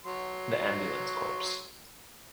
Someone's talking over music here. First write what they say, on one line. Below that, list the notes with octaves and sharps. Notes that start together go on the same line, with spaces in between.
The Ambulance Corps.
F#3 C6